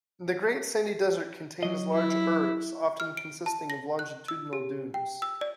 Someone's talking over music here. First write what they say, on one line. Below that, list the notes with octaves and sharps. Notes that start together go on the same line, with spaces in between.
The Great Sandy Desert contains large ergs, often consisting of longitudinal dunes.
F#3 D#5
E4
F6
D7
A5
A#6
F#6
E6
G4
G5
E6
D5